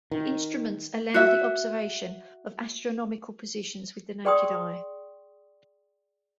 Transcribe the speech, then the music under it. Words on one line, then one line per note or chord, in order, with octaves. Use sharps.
The instruments allow the observation of astronomical positions with the naked eye.
D#3
F#4 E5
G#4 D5 G5 C6 C#6 D#6